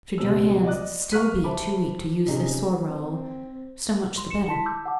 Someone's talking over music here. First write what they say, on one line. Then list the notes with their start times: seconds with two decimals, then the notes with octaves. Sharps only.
Should your hand still be too weak to use this sword, Raoul, so much the better.
0.18 C#2 B2 G3 C4 E6
0.64 D5 D#5 D6 F#6
1.11 F5 C#6 F6 F#6 B6 D#7
1.44 C5 E5 A5 B5 D6
2.27 C3 C#4 D#4 G#4
2.89 C4
4.18 C6
4.30 C#7 E7
4.47 E4 A5 C6 B6
4.66 D6 E6 G6
4.86 F#5 G#5 A5 D6